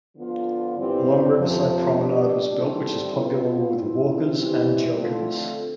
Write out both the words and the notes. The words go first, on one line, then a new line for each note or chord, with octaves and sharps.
A long riverside promenade was built which is popular with walkers and joggers.
D3 F3 B3 F4
G2 E3 G3 C4
F2 C3 F3
G3 D4 G4
D3 G3 C4 E4 A4
B2 B3 F4
C3 F3 C4 E4
E3 G3 C4 E4 G4
D3 A3 C4 F4 A4